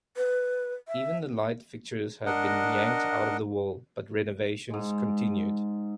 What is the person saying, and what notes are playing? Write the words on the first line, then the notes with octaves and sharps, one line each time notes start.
Even the light fixtures had been yanked out of the wall, but renovations continued.
B4
E5
D4 A#4 D#5 F#5
G#2 G#3